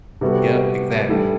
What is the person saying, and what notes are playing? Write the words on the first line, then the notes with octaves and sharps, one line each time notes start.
yep, exactly.
C3 G3 B3 F#4 A4
A2 E3 G3 D4 A4